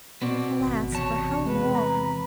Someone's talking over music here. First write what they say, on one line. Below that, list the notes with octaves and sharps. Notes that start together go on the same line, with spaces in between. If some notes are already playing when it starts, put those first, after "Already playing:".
Alas! for how long!
B2 B3 C4 D5
G#1
E2 C3 C#5 A5
G#3 B4
A#5 B5